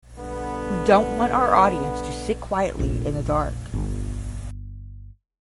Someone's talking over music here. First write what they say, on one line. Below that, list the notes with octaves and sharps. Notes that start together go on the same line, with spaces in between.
We don’t want our audience to sit quietly in the dark.
G2 D3 B3
F1 A#1 F2
G1